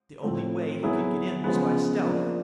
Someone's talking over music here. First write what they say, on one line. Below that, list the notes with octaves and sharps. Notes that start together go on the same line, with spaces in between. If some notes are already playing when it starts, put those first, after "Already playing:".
The only way he could get in was by stealth.
A2 F3 A3 C4
F#3 B3 E4 G#4
C#3 F3 G#3 B3
F3 A#3 D4